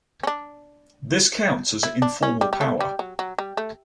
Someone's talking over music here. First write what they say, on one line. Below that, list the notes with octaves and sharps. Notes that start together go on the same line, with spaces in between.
This counts as informal power.
C#4
D4
E4
D4
C#4
G3
G3
A3
G3
F#3
F#3
G3
A3